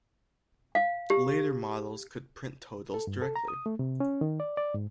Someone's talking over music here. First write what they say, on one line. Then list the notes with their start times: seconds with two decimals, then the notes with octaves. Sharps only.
Later models could print totals directly.
0.75 F5
1.10 G4
2.94 A4
3.07 G2
3.22 A4
3.36 A#5
3.48 D#6
3.66 A3
3.79 C3
4.00 C#4
4.21 D#3
4.40 D5
4.57 D5
4.74 G#2